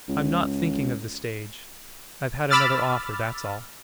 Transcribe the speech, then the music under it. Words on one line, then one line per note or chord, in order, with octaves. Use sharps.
"I'm not thinking of the stage. I've had another offer: that's all."
C#2
B5 D6 E6 F6 A6